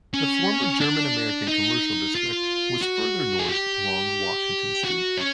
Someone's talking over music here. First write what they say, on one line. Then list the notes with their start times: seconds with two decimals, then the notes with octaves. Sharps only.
The former German-American commercial district was further north along Washington Street.
0.14 C#4
0.80 D4
1.48 D#4
2.15 F4
2.83 F#4
3.39 G#4
3.49 G4
4.84 F#4
5.17 C#4